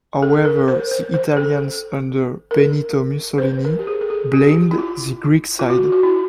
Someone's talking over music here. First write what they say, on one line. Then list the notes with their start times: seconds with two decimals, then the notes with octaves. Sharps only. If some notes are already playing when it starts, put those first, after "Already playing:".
However, the Italians under Benito Mussolini, blamed the Greek side.
0.23 A4
0.45 A#4
0.68 C5
0.91 C5
1.14 C5
1.37 A4
2.51 A#4
3.38 C5
3.42 B4
3.65 A#4
3.79 G4
3.87 G#4
4.01 A4
4.10 G#4
4.33 G4
4.48 G4
4.71 E4
4.78 F4
5.59 F4
5.70 F#4
5.92 F#4
6.03 E4